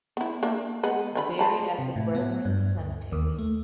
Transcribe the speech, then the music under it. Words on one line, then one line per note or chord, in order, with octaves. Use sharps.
Buried at the Brethren Cemetery.
B3 E4
A#3 D4 E5
G#3 B3 F#5
D3 C#4 B5
F3 A5 B5
C3
A2
B3
G2
D2
D#2
A3